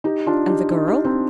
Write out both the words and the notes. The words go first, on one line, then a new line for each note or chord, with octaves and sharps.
"And the girl?"
D#4 G4
D4 F4
D#4 G4
D#4 G4
D#4 G4
C4 D#4